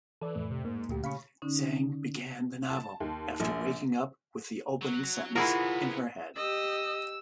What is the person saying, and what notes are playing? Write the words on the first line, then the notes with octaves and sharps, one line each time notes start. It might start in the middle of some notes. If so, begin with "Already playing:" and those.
Zhang began the novel after waking up with the opening sentence in her head.
E3 A4 D5
F2 A2 A3
C3
G#2 A#3
D2 A#2 A3 G4
C#3 F5 B5 C#6
D3 C#4 D#4
A5
D#2
A#1
F#3
C3 B3 E4 F4 G#4 A#4 F#5
G4 D#5 E6